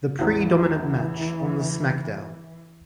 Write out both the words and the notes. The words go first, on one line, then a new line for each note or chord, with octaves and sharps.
The predominant match on the SmackDown!
A1 E2 E3